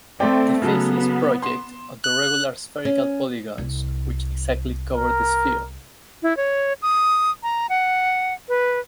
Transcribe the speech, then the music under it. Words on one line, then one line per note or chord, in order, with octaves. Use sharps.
The faces project onto regular spherical polygons which exactly cover the sphere.
A3 C4 D5 G5
C#3 F#3 B3 A4
C6 E7
F#6
C#4
C2
A#4
E4
C#5
D#6
A#5
F#5
B4